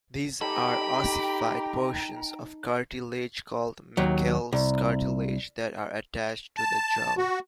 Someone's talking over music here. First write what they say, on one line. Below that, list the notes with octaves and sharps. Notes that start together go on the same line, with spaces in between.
These are ossified portions of cartilage-called Meckel's cartilage-that are attached to the jaw.
D#4 G4 A4 G5 A#5 B5
D#2 F#3
C2
A5
F#4